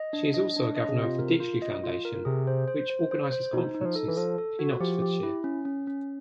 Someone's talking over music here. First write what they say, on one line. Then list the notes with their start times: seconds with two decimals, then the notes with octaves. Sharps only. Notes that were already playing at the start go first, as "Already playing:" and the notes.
She is also a governor of the Ditchley Foundation, which organises conferences in Oxfordshire.
Already playing: D#5
0.13 D4
0.34 D#5
0.56 D4
0.77 D#5
0.89 C#3
0.97 C3 F4
1.19 A#4
1.40 F4
1.62 D#5
1.84 F4
2.05 A#4
2.25 C3 G#4
2.47 C5
2.68 C5
2.90 C5
3.11 C5
3.32 C5
3.53 B2 D#4
3.74 D#4
3.81 F#3
3.85 F3
3.96 A4
4.08 E3
4.17 F3 A4
4.38 A4
4.59 F#4
4.80 F3 G4
5.02 G4
5.23 E4
5.44 C#4
5.65 C#4
5.87 C#4